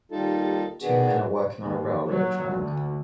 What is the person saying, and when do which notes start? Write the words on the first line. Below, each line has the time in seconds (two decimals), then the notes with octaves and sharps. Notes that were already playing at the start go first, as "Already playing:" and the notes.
Two men are working on a railroad track.
0.12 D#2 G3 D#4 F4 A4
0.82 B2 D#3 B3 D4 F#4 G#4
1.61 D#2
2.05 F#3
2.52 D2